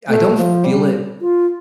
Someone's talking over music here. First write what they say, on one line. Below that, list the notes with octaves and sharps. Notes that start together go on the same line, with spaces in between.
I don't feel it
A3
F3
G3
F4